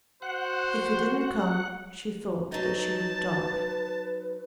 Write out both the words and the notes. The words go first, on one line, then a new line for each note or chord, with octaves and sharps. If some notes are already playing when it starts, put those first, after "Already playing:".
If he didn't come she thought that she would die.
F#4 C5 F#5
F#3 D#4 B4 A5
B4